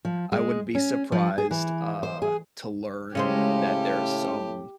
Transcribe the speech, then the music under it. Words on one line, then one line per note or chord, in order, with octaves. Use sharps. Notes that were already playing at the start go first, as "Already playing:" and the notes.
I wouldn't be surprised, uh, to learn that there's some
F3
G#3
C#4
F3
G#4
E3
C5
G#4
A2 C#3 G#3 C#4 G4 C5